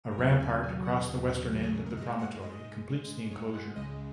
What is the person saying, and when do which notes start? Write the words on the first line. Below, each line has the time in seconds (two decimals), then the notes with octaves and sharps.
A rampart across the western end of the promontory completes the enclosure.
0.11 A#4
0.18 D#2 C#3 F#3 C#5
0.40 G#5
0.63 D#2 C#3 F#3 G#5
0.85 F#5
1.07 D#2 C#3 F#3 G#4
1.30 F#4
1.52 D#2 C#3 F#3 G#4
1.63 G#4
1.75 G#4
1.86 A#4
1.97 G#2 D#5
2.01 G#3
2.19 F#5
2.42 G#2 G#3 D#5
2.86 G#2 G#3
3.31 G#2 G#3 C#5
3.54 F#5
3.76 C#2 C#3 G#3 D#5